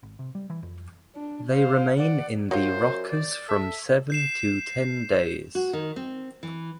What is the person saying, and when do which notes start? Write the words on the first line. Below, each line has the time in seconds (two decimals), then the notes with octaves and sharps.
They remain in the rockers from seven to ten days.
0.03 G#1
0.19 C3
0.35 G3
0.50 E3
0.63 F2
1.15 D4
1.51 C5 F5
1.97 D5 F#5
2.51 F#2 F#3 F4 C5
3.09 D5
3.49 A4 E5
4.10 G6 C7 E7
5.55 F#4
5.73 D#3
5.96 C4
6.43 E3